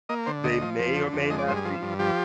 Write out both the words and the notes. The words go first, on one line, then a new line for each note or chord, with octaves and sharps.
They may or may not be
A#3 D#5
D3 C5
D2 D#5
F3
F2
D3
F2
G#3 D#5
D5
G2 C5
G#4
F3
G2
F3 G4